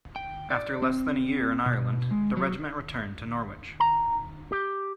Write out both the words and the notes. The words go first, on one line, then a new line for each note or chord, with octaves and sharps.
After less than a year in Ireland, the regiment returned to Norwich.
G5
D5
C4
B2
G#3
F#3
A#5
G4